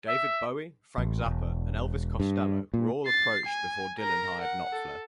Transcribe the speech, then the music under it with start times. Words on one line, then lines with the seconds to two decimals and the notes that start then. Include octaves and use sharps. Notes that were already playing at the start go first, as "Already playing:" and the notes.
David Bowie, Frank Zappa, and Elvis Costello were all approached before Dylan hired Knopfler.
0.07 E5
0.98 A1
1.26 E1
2.20 G2
2.74 A#2
3.06 A6 C7
3.46 G#5
3.99 A#4 A#5
4.42 F#5
4.73 A4